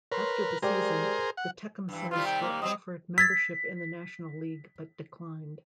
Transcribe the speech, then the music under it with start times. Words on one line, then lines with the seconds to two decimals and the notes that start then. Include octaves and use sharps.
After the season, the Tecumsehs were offered membership in the National League, but declined.
0.12 A#4 B4 C#5 C6
0.62 G#3 G4 G#4 A#4 C5 D5
1.37 F#5
1.89 G2 E3
2.11 C3 D#3 G3 F4
2.26 G5
2.42 A#3
2.62 F#3 G#3 C4 D#5
3.18 E6 G#6 A6 B6